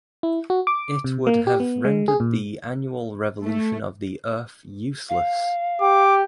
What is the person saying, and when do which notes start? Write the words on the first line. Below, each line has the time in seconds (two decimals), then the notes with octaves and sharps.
It would have rendered the annual revolution of the Earth useless.
0.23 E4
0.50 F#4
0.67 D6
1.04 C3
1.27 A#3
1.47 G4
1.60 B3
1.85 G#3
2.08 G#4
2.20 A#2
3.44 A3
5.09 F5
5.81 G4 D6